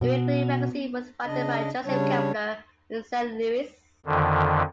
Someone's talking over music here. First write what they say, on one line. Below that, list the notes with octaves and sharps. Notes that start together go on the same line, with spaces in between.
The weekly magazine was founded by Joseph Keppler in Saint Louis.
B2
C#3 D4 D#5
C#3 G3 D4 C#5
F2 D3 D#3